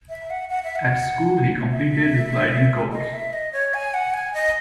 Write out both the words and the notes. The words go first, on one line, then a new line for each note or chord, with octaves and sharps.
At school, he completed a gliding course.
E5
F#5
F#5
E5
F#5
E5
D#5
E5
D#5
C#5
G#5
F#5
G#5
D#5